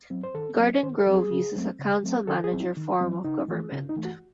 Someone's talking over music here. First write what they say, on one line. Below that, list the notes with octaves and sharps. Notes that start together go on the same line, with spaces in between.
Garden Grove uses a council-manager form of government.
F#3 C4
C5
D#3 A4
F#3 C4
D#3 C5
A4
F#3 C4
G#4
C#3
F#3 A3 C4
C#3
F#3 A3 C4
D#3 A4
G#4
F#3 C4
E4
D#3
F#3 C4
C#3 D#4
E3 A3
C#3 C#4
D#4
E3 A3
F#4